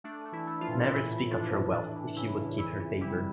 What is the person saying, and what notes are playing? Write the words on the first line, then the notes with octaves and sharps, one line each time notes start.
Never speak of her wealth, if you would keep her favour.
A3 D4
A3
E3 E4
A3
F3 F4
A#2
A2 E3 E4
A2
F3 D4
A2
E3 D4
E3
C#3 E3 E4
C#3
F2 E3 E4
E3
E3 G3 E4